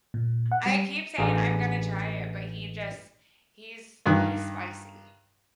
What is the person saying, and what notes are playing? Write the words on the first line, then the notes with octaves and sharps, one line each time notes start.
I keep saying I'm gonna try it, but he just he's he's spicy.
A#2
F#5
G3
A1 D4 G#4 F5 A5 A#5
G2 D#3 F#6